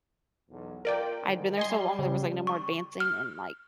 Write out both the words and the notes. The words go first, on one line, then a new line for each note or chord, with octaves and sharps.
I'd been there so long there was, like, no more advancing and, like,
B1 E2
F4 A#4 D5 G5
G#2 D3 D#3
G3 D#5 G#5 C6
C#3
C#6
F6